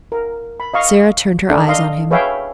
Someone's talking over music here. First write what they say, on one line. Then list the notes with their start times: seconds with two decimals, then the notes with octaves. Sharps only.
Sara turned her eyes on him.
0.12 A#4
0.60 B5
0.74 D#5 F5 C#6
1.50 D4 A4
1.68 D#5 F5 C6
2.11 G#4 B4 C#5 E5 F5 G5